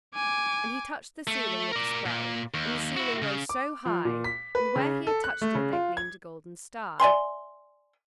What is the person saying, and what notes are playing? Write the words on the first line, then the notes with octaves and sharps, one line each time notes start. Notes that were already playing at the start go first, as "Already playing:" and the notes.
And he touched the ceiling with the spray, and the ceiling rose so high, and where he had touched it there gleamed a golden star.
G#5 D6
A3
A#4 D5
A#2
D#2
E4 F#4
C#3
D6
F3
A#2
B6
B4
C#3
A4
F#6
A3
C#3
F4
G#6
D5 E5 G#5 C6